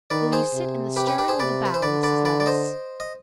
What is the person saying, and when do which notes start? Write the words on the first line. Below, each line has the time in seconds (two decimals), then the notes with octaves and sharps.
"Will you sit in the stern or the bow, Mrs. Levice?"
0.10 D#3 B4 D5
0.32 G#4 C5
0.54 C3
0.96 G4 B4
1.07 G4 B4
1.18 G4 B4
1.28 G#4 C5
1.39 C3 B4 D5
1.65 B4
1.74 C5
1.82 D3 B4 D5
2.03 B4 D5
2.25 B4 D5
2.40 D5
2.46 C5 D#5
3.00 D#5